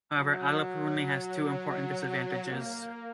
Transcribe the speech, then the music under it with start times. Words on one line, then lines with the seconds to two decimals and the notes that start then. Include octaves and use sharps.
However, allopurinol has two important disadvantages.
0.17 F#3
2.51 A#3